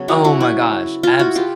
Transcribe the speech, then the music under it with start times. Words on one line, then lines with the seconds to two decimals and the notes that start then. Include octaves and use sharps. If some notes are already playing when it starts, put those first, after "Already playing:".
Oh, my gosh, abs
Already playing: C#3 F#3 B3
0.08 E4 F#4
0.24 E4 F#4
0.41 E4
1.03 F4
1.19 E4 F#4
1.35 F4 G4